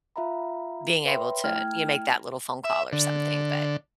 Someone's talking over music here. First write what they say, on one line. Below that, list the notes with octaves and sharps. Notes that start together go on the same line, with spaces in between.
being able to you make that little phone call or something, but
F4 E5 F5 A#5 B5
B4 C#5 E5 G5 B5 C6
A3 E4 G5 F6 G#6
E5
D3